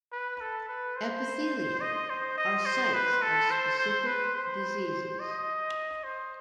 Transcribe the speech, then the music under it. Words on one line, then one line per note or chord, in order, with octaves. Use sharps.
Epithelia are sites of specific diseases.
B4
A4
B4
C5
D#5
C5
D#5
C5
B4
A4
C5
C5
B4
C5
D#5
C5